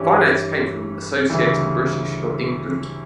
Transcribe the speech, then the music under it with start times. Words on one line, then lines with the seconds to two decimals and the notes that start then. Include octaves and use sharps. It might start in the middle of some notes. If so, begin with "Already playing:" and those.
Finance came from Associated British of England.
Already playing: G2 E3 G3 C#4 G4
1.29 D2 C#3 E3 G3